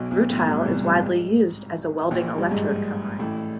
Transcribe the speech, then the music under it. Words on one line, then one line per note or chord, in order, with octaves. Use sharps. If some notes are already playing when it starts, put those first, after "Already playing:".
Rutile is widely used as a welding electrode covering.
Already playing: B1 B2
B1 B2
A1 A2
G2
C2 C3
G2
G#2
A#1 A#2
G2
G#2
A1 A2